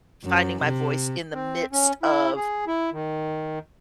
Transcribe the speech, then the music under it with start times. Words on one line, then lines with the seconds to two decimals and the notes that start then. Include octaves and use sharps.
finding my voice in the midst of
0.24 F#2
0.63 C3
1.34 C4
1.73 C#4
2.03 E4
2.36 G#4
2.67 E4
2.92 D#3